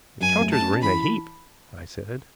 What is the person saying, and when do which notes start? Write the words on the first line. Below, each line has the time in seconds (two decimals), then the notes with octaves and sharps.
"The counters were in a heap," I said.
0.21 F#2 G#5
0.41 A3
0.51 A5
0.62 C#4
0.82 E3 B5